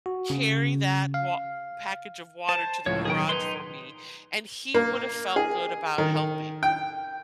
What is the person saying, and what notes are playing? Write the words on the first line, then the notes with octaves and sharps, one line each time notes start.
carry that wa package of water to the garage for me, and he would've felt good about helping.
F#4
C#3
F5
C5 A5
C#2 A2 F3 C#5
B2 D#3 F#3 G#4 G5
D#4 B4 C6
A#3
G#4
D#3
G5